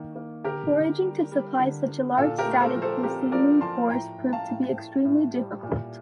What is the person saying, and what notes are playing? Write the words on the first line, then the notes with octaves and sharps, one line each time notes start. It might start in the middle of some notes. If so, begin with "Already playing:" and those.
Foraging to supply such a large static besieging force proved to be extremely difficult.
Already playing: D#3 A#3
A#3
D3 G4 A#4
D3
G3
G3
D3
D3
A#2 F4 A4
G4 A#4
A3
A4 C5
F3
A4 C5
C4 G4 A#4
F3 A#4 D5
F3 A5 C6
A2 G5 A#5
A2
F5 A5
A2
A2
A2
G3
A#2